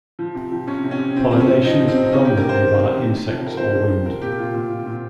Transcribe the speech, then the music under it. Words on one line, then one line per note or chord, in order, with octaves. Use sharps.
Pollination is predominately via insects or wind.
F3
C3
F3
C3 C#4
C3
C#4
C3
C3 C4
F3 C4
C#4
F3
F3 D#4
C3
C4
C3
D#4
D#3 C#4
G4
C3
A#4
C3 C5
D#3
C3
D#3
C3
F3
C3
A#4
F3 C5
C3
C3
F3 A#4
A#2 G4
G4
A#2 F4
A#2
A#2
A#2